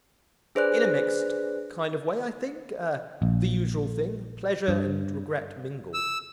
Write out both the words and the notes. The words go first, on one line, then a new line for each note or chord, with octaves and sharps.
"In a mixed kind of way, I think; the usual thing: pleasure and regret mingled."
D4 G#4 B4 C5 D5 F#6
A#1
G2
E6